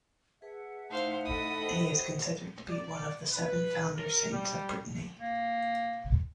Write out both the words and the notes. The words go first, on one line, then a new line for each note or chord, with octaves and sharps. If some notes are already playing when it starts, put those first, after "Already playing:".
He is considered to be one of the seven founder saints of Brittany.
G#4 B4 E5 F#5 A5
A3 D#4 E4 C5 F5
A4 D#5 B5 D#6
F#4 C5 G5
D5
B4
A#4
G3
A#3